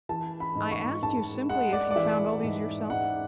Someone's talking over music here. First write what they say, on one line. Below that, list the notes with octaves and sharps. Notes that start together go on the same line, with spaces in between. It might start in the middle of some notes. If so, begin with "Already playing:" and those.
'I asked you, simply, if you found all these yourself?'
E3 A5
B5
G#2
C#6
G#2 A5
G#3 F#5
D5
D5
E3 E5
G#2
G#2 F#5